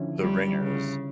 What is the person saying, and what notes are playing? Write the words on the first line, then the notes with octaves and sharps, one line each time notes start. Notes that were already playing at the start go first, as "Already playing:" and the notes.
The ringers.
Already playing: D3 F3 C#4 E4
G3
C#3